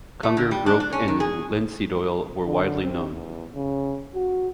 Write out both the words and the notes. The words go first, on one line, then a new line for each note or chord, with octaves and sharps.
Kungur rope and linseed oil were widely known.
A3
D3
G3
D4
D4
C#4
D#3
G#4
D3
C4
E2
C#3
F#4